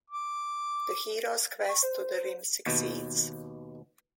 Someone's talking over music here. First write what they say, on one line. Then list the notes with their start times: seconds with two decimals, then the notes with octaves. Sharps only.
The hero's quest to the rim succeeds.
0.10 D6
1.69 C#6
1.83 C5
2.66 D#2 B2